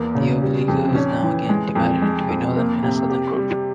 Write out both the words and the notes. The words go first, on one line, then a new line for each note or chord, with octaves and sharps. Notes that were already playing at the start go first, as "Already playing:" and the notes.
The "Oberliga" was now again divided into a northern and a southern group.
Already playing: E2 A#3
C#3
G3
F2
C#4
E3
G#3
F2
G#3
F2
A#3
C3
G4
G3